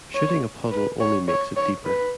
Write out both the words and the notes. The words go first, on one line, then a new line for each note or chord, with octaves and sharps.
Shooting a puddle only makes it deeper.
C#5
B4
C#5
C#5
C#5
B4